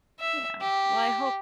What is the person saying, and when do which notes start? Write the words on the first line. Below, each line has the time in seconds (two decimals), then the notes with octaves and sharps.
Yeah, well, I hope
0.20 E5
0.61 G4